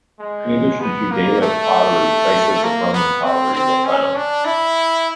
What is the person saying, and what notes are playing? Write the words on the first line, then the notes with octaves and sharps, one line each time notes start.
In addition to Gallic pottery, traces of Roman pottery were found.
G#3
B3
A#3
A3
A#3
B3
C4
C4
C#4
D4
E4